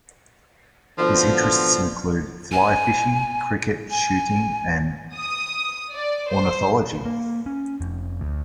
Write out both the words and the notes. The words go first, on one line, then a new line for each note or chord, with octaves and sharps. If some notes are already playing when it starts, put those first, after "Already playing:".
His interests include fly fishing, cricket, shooting and ornithology.
B2 D3 F3
G#5
G#5
D#6
D5
C5
A#3
C#4
F1
D2